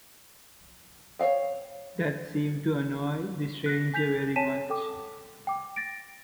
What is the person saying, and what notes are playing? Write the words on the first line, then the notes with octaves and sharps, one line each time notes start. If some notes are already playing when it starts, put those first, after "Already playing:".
That seemed to annoy the stranger very much.
C#5 D#5 F5 G5
F#6 A#6
G#5 G6 B6 F7
C#5 G#5 A5 B6 D#7 E7
A4 G5 D6
G5 D6
A6 A#6 D7